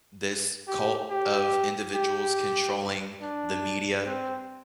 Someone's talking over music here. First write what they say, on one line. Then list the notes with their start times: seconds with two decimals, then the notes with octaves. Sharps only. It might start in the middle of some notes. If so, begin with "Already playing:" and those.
this cult of individuals controlling the media.
0.68 G4
1.10 G4
1.94 G4
3.21 D4
4.06 C4